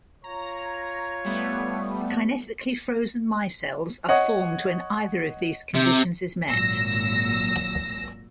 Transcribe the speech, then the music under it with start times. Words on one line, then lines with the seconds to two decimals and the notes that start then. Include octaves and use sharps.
Kinetically frozen micelles are formed when either of these conditions is met.
0.24 F4 C#5 A#5
1.25 G3 A3 B3
4.09 C#5 D#5 F#5
5.75 C3
6.48 G#1 A#2 F#3 E6 A#6